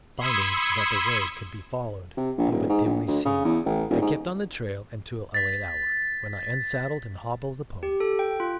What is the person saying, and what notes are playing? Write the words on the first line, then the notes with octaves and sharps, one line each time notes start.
Finding that the road could be followed, though but dimly seen, I kept on the trail until a late hour, when I unsaddled and hobbled the pony.
B5 C6 D#6 E6 G#6 C#7
C3
A#1
D#1
G#2
A#1
D2
C#3
E2
A1
D#1
G#2
A6 B6
G4
A4
G5
F4